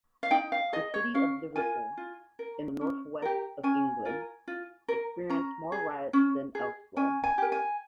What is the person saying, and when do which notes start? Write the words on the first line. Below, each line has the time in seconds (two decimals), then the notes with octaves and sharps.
The city of Liverpool, in the northwest of England, experienced more riots than elsewhere.
0.23 F5
0.31 D#4 G5
0.52 F5
0.73 G#4 D#5
0.94 C#5
1.14 C#4 F5
1.56 F4 A#4 G#5
1.97 F4
2.39 A#4
2.81 C#4
3.22 G4 A#4
3.63 C#4 G#5
4.05 F4 A#4
4.48 F4
4.88 A#4
5.30 C#4 A#5
5.72 G#4
6.13 C#4
6.55 G#4
6.97 C#4 G#5
7.24 G#5
7.38 G4 A#4
7.52 G#5